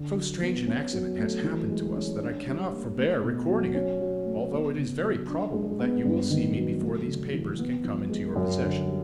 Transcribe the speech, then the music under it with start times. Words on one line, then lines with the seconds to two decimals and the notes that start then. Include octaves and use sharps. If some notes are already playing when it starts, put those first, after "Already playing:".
So strange an accident has happened to us that I cannot forbear recording it, although it is very probable that you will see me before these papers can come into your possession.
Already playing: D3
0.16 F#3
0.41 B3
0.67 C#4
0.93 F#3
1.18 A3
1.44 E3
1.69 G#3
1.95 C#4
2.20 D4
2.47 G3
2.72 A#3
2.98 A3
3.23 B2
3.49 F#3
3.75 C#4
4.00 F#3
4.25 A3
4.51 B3
4.77 C#3
5.03 F#3
5.28 D4
5.54 G#3
5.79 B3
6.05 G2
6.30 D#3
6.56 F#3
6.82 A3
7.07 C#3
7.33 E3
7.59 B3
7.84 F3
8.10 G#3
8.36 F#2
8.61 D3
8.87 G3